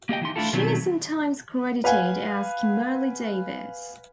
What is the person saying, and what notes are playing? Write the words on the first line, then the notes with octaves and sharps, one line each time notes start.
She is sometimes credited as "Kimberly Davies".
A#3 G4 D#5 G5
E3 D#4 C6
A3 D4 E4 F4 A4
B2 D#3 F#3 G3 C4
B4 F5 F#5 G#5 B5